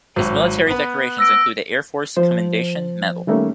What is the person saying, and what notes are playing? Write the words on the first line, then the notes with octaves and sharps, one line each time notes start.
His military decorations include the Air Force Commendation Medal.
G#1 F#3
B3 B4
E6 A#6 D7
F3 C5
D#3 G3 A3 A#3 C#4